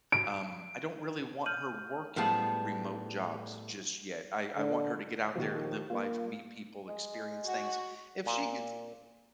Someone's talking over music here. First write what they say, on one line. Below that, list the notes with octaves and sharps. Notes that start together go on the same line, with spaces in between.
um, I don't really want her working remote jobs just yet. I I want her to get out there, live life, meet people, experience things. If she gets
D7
F6 G6 D#7 F#7
A2 F3 G3 B3 G#4 A5
D3
D#2 A#2 D#3 F3
A#3 F4
G#3
F#4
A#2